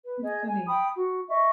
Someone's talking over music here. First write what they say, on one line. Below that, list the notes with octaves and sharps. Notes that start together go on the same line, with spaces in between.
That's funny.
B4
G#4 D#5
G#5
G5 B5 D#6
F#4
D#5 E5 C#6